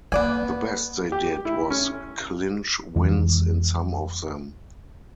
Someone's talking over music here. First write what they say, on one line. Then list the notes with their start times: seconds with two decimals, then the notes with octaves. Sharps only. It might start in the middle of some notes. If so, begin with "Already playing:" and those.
The best they did was clinch wins in some of them.
0.12 A#3 B3 D5 G#5
1.12 G4
1.45 E4
1.70 C#4
2.96 F2 E3 G#3